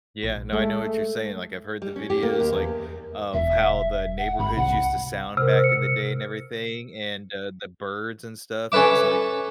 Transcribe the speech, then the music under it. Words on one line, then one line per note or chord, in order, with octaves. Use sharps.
Yeah, no, I know what you're saying. Like, I've heard the videos, like, of how the neighborhoods used to sound back in the day and everything and, uh, the birds and stuff, it's like
A#1
G#3 A3
G3
C#4
G4
A#3
D#2
E2
E1 E5
F#5
G#1 B5
C2 F#5
C3 A#4 C5 F6
C#7
C#4 A4 B4 E5 D6